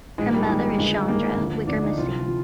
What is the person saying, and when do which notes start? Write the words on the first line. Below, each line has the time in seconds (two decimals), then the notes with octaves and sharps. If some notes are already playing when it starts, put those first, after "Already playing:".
Her mother is Chandra Wickremasinghe.
0.18 A#1 G#2 D#3 G#3
0.29 A#3
0.34 G3
0.38 G#3
0.49 A#1 G#2 D#3
0.78 G1 G2 D#3 G#3
1.08 G1 G2 D#3 A#3
1.37 D2 D3 F3
1.67 D2 D3 F3 D4
1.83 D#4
1.97 C2 C3 F3 F4
2.28 F3